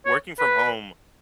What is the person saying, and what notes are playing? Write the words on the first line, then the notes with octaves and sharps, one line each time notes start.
working from home
C#5
B4